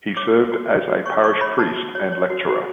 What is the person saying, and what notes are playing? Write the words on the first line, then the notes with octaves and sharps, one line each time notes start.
He served asa parish priest and lecturer.
C#5 D6
F#4
F#4
C#5
F#4
C#5 C#6
C#5 C#6
C#5 B5
F#4 A5
F#4
C#5
C#5
F#4
F#4